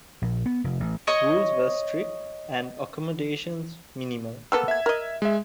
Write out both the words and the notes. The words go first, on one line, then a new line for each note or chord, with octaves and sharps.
Rules were strict and accommodations minimal.
A#1
B3
F1
A1
C#5 D#5 C#6
A#3 B3 A4 E6
E5 G#6
A#4 D#5
G#3 E5